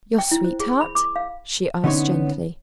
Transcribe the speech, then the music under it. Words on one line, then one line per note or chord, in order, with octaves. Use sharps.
"Your sweetheart?" she asked gently.
G5
E4
C5
G#4
B5
D6
F5
D3 B3 C#4 D#4 B4 C#5